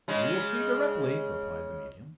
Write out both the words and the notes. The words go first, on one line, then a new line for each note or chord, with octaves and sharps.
"You will see, directly," replied the medium.
C#3 G#3